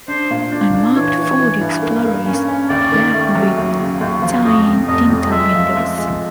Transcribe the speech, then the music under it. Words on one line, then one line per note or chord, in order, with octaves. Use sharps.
Unmarked Ford Explorer is black with tinted windows.
D4 C5
A#2
D4
D4
E3 C#5
E3
E3
G2
A#3
A#3
C#4
C#4
D#2 D5
D#3
A3
F#3
D#2
C#3
D#2
F3
F2 D#5
C3
F1 D#5
F2
D#5
G#3 E5
F3
F3
G#3